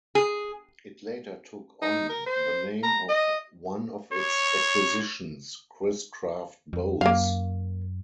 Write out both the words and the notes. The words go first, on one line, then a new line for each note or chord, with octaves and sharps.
It later took on the name of one of its acquisitions, Chris-Craft Boats.
G#4
D#4
A#4
C5
A#5
D#5
C#5
F2
F#2 A#3 F5